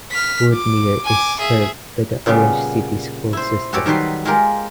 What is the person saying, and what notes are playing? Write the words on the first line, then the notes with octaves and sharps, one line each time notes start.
Woodmere is served by the Orange City School System.
F6 B6
D6
G#5 D6
G#4 E5
A#2 C#3 G3 B3
E4 C5
F#4 G4 A4 C#5 D5
D#3 F#3 G3 B4 C6
G#3 F4 G4 A#4